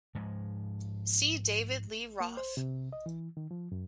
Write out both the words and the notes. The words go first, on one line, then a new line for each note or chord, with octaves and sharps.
See David Lee Roth.
G#2 F3 G#3
A#3
C5
C3
D#5
E3
D#3
F3
F#2